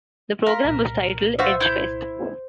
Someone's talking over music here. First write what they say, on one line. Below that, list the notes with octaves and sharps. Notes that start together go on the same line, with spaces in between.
The program was titled Edgefest.
A#4 F5 C6 B6
C2 A#2
F4 F#4 C5 E5
E4 G6